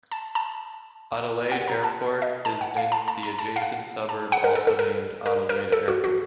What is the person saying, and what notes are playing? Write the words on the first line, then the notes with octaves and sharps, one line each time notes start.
Adelaide Airport is in the adjacent suburb also named Adelaide Airport.
A5
A5
F#5
A#5
A5
D#5
A5
F#5
F5
A5
A5
A#5
A5
F5
F#5
A5
F#5
A#4
A4
A4
A#4
A#4
A#4
A4
F#4
F#4